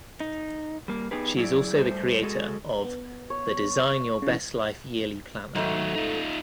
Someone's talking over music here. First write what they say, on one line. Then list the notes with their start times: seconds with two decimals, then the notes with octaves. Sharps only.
She is also the creator of The Design Your Best Life Yearly Planner.
0.20 D#4
0.88 G3 A#3
1.11 B3 D#4 G4 G#4 B4
1.37 F#3 E4 G#4 D5
1.75 G3 A3 C5
2.22 G#3 F#4 G#4 A4
2.84 B3
3.30 C#5
4.22 C#3 E3
5.56 G#2 D#3 F#3 A3
5.96 D#4 F4